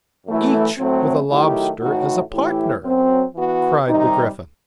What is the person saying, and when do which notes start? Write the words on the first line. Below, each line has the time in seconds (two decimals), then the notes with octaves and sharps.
'Each with a lobster as a partner!' cried the Gryphon.
0.27 F#2 E3 A3 E4
0.78 A2 F#3 A3 C4
1.30 D#3 F#3 A3 E4 G4
1.81 A2 E3 A3 D#4 F#4
2.32 A2 E3 A3 E4 G4
2.83 F#2 F#3 C4
3.34 E3 B3 F#4
3.86 C3 D#3 G3 D#4